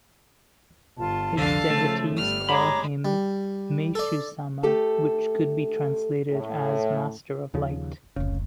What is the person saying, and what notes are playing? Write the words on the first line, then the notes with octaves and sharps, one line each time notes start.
His devotees called him "Meishu-sama", which could be translated as 'Master of Light.
G1 F4 A5
C2 F2 D3 D4 A4 F5 A5
C#3 F3 A3
G1 G3 F6
G#3 C#5 A#5 B5 D6
G3
A4 D5
A3 G4 A4 A5
A2
D#2 C#3 F3
F1 C#2 C#3